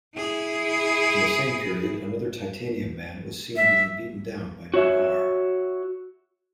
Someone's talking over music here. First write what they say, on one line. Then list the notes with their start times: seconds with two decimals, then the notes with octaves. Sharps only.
In the same period, another Titanium Man was seen being beaten down by Noh-Varr.
0.17 E4 G#4
3.56 E5
4.74 F#4 C#5 E5